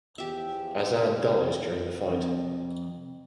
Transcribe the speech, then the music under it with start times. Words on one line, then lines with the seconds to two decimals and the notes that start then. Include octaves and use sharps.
Azaan dies during the fight.
0.18 E2 E3 F3 G4 E5
2.10 F2